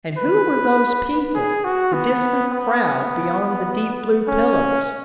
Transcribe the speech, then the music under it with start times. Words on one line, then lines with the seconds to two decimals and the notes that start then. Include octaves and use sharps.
And who were those people, the distant crowd beyond the deep blue pillars?
0.18 B4
1.35 G#4
1.64 F#4
1.94 B3
2.52 B3
4.28 C#4